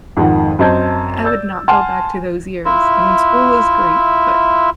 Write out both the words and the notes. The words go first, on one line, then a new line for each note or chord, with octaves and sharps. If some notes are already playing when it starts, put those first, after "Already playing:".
I would not go back to those years, I mean, school was great, but
F2 G#2 D#3 F#5
F#2 C4 D#5 A5 G6 G#6
D5 E6 G6 A6
F#5 G#5 A5 C6 F6
E4 F4 E5